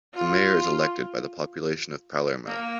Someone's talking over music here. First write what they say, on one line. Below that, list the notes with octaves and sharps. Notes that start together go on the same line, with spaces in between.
The Mayor is elected by the population of Palermo.
F4
A#3